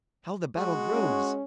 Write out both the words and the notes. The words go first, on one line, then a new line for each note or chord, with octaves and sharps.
How the battle grows!
G#3 F#4
C#4